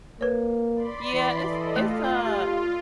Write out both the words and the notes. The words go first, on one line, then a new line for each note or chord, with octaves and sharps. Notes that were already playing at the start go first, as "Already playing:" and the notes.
Yeah, it's it's a
A#3 B4 C#5
D5 B5 C6
E3
A4 D#5
A3 F4
G4